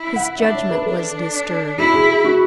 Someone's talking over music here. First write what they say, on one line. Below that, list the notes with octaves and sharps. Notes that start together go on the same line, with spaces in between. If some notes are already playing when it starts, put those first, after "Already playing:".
His judgment was disturbed.
Already playing: E4
F#5
D4 E5
C#5
B4
D4 A4
E4 F#4
G#4
G#4
F#4